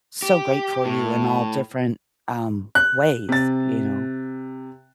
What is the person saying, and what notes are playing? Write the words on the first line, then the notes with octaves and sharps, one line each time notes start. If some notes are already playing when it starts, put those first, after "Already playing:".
so great for you in all different, um, ways, you know.
G4
A2
F#6
C3 A6